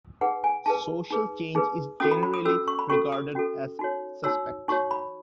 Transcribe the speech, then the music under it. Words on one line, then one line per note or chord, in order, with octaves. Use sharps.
Social change is generally regarded as suspect.
D#4 G#4 B4 F#5
G#5
D#4 G#4 B4 A5
D#4 G#4 B4
D#4 G#4 B4
C#4 F#4 A4 D#6
B5
B5
D#6
C#4 F#4 A4 E6
C#6
B5
C#4 F#4 A4 C#6
D#6
C#4 F#4 A4
D#4 F#4 C#5
D#4 F#4 C#5 E6
D#4 F#4 C#5 C#6
B5